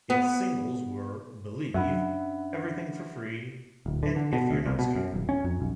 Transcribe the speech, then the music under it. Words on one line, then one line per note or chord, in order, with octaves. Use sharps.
Its singles were "Believe", "Everything for Free", and "If You're Not Scared".
B3
F#2 C#4 D4 E5 F#5 B5
D1
D3
D3
B2
D2
C2
B2
F#2
D#1
C#4
F2
B1